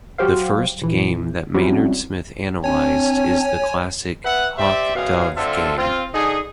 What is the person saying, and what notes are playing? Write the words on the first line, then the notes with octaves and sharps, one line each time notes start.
The first game that Maynard Smith analysed is the classic Hawk Dove game.
F#3 F#4 G4 C5 F5
A#1 E3
F3 G3 C4 C#4 E4 F#4
C4 D4 C#5 G#5
B4 E5 F#5
G4 C5 D5 E5
F#2 B2 G#4 F5
D3 C4 F4 A4 E5
C4 F4
D3 D#4 G#4